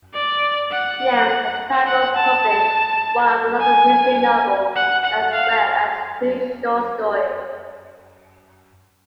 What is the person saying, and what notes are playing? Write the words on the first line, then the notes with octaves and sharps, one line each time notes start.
Nelms, as Talbot, published one other mystery novel as well as two short stories.
D5
F#5
F#5
A5
G#5
F#5
F#5
F5